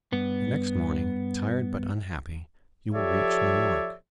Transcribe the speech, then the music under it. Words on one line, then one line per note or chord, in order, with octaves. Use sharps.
The next morning, tired but unhappy, you will reach New York.
G2 B3
F3 G4 A4 C#5 D5 E5